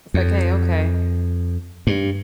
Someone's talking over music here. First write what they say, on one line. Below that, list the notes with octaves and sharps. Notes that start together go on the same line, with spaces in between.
It's like, "Hey, okay."
F2
G2